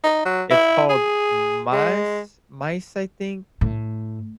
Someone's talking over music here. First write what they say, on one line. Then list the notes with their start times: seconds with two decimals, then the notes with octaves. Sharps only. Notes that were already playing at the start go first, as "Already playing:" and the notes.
it's called mas maíz, I think.
0.04 D#4
0.25 F#3
0.51 E4
0.90 G#4
1.72 G#3
3.61 A2